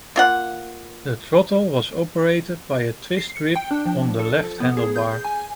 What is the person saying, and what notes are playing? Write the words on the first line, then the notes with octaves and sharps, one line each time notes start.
The throttle was operated by a twist-grip on the left handlebar.
A#3 F4 F#5
C7
C#7
G5
D4
F3
A4
F3
B3
G#4
G6
G#5